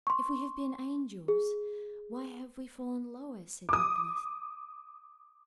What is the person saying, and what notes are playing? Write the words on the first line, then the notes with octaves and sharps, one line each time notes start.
"If we have been angels, why have we fallen lower?" said Nicholas.
C6 C#6
G#4
D6 D#6